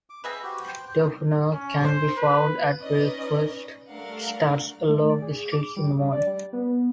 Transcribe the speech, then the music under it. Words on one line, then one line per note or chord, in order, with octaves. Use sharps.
Doufunao can be found at breakfast stands along the streets in the morning.
D6
C4 G#4 B4 E5 F#5
F#4 G4
C5 G5
C#4
C5
B4
C#4 D#4 B4 D5 D#5
G3 A3 D4 A#4 F5 F#5
A3
D5
G#4
D6
G3
D4
D5
G3
B3